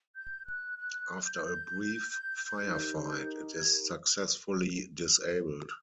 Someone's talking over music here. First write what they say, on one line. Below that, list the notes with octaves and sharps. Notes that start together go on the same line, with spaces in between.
After a brief firefight, it is successfully disabled.
G6
F#6
F#6
G6
D#4 G4 A#4
G#6